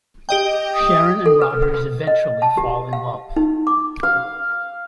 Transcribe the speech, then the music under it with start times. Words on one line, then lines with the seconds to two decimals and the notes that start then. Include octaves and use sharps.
Sharon and Rogers eventually fall in love.
0.29 G4 D#5 G5
0.74 D#6
1.26 A4
1.42 B4
1.62 B4
2.07 D#5
2.42 A5
2.57 G4
2.93 F5
3.36 D#4
3.67 D6
4.03 F5